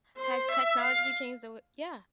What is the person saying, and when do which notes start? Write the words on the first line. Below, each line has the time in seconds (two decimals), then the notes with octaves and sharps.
Has technology changed the way Yeah.
0.17 C5
0.49 E5
0.79 F5